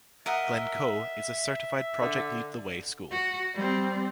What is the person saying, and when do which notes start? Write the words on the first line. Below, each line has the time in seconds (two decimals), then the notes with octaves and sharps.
Glencoe is a certified Project Lead The Way school.
0.26 A#4 D#5 E5 F#5
2.01 D3
3.12 F#4
3.55 G3 C4